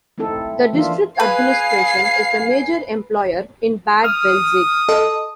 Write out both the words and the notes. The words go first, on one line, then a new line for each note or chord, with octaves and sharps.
The district administration is the major employer in Bad Belzig.
A3 C4 D#4 E4 A4
E3 F3 A#3 D4 F4 E5
G#4 B4 F5 G#5 G#6 C7
D#6 F6
A4 D#5